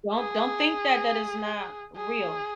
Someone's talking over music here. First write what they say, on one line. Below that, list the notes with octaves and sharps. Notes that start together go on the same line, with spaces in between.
don't don't think that that it's not real.
G#4
G#4